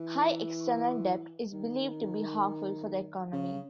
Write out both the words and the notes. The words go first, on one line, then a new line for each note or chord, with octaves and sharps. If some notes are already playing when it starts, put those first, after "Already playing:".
High external debt is believed to be harmful for the economy.
Already playing: E3
D#3
C#3